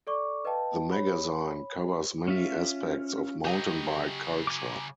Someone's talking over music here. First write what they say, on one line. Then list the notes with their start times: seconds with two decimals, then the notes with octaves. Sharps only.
The magazine covers many aspects of mountain-bike culture.
0.07 A4 D5 C#6 D6
0.45 B4 D#5 F5 G5 A5
0.91 C#5 B5
2.28 C#4 F4 E5
3.45 C#3 F#3 G4 D#5
4.47 G#5 D6